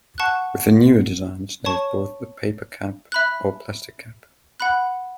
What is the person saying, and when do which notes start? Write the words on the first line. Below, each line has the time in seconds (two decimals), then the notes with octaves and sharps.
With the newer designs they have both the paper cap or plastic cap.
0.18 F#5 A5 C#6 F#6
1.65 C#5 A5 C#6
3.12 E5 B5 F#6
4.60 F#5 B5 F#6